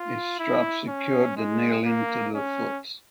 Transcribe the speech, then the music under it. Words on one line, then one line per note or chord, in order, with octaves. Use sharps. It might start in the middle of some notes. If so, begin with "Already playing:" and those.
A strap secured the nalin to the foot.
Already playing: F4
E4
C#4
G#3
A#3
C#4